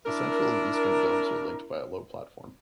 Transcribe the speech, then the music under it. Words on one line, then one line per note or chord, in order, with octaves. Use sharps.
The central and eastern domes are linked by a low platform.
D4 E4 A#4